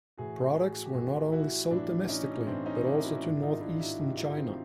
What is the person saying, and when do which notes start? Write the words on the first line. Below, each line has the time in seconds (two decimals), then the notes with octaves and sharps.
Products were not only sold domestically, but also to northeastern China.
0.18 A2 E3 F#4 G#4
0.56 F#4 G#4
0.76 F#4
0.85 G4
0.94 A2 E3 F#4 G#4
1.32 E4 F#4
1.71 A2 E3 D4 E4
2.09 C#4 D#4
2.47 A2 E3 C4 D4
2.66 C#4 D#4
2.85 D4 E4
3.04 E4 F#4
3.23 G#2 D#3 D4 E4
3.42 D#4 F4
3.61 D4 E4
3.80 E4 F#4
3.99 G#2 D#3 F4 G4
4.18 D#4 F4
4.37 C4